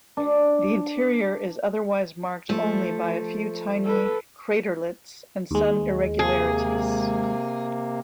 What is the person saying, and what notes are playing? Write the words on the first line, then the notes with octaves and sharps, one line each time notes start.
The interior is otherwise marked only by a few tiny craterlets and some irregularities.
D4
F3 A3
A4 B4
D#2 G#3
C3 A#3 G#4